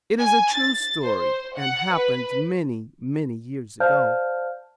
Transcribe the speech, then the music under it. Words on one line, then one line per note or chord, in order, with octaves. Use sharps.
It is a true story, and happened many, many years ago.
G#5
A6
C5
F#5
B4
C5 D5 F5 A5 F6 G6